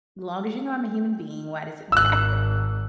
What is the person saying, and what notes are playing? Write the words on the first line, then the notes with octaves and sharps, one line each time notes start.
"Long as you know I'm a human being, why does it matter?
G#1 E6 F#6